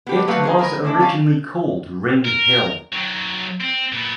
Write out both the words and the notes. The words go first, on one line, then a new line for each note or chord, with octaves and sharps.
It was originally called Ring Hill.
B3 G4
F#3 A3 B3 B4 F5
D#4 G#4 C5
G#3 A#4 B4
G#3 A3 D4 E4
C#4 F5
A#4
D#3 F#3
C4
A#2 B3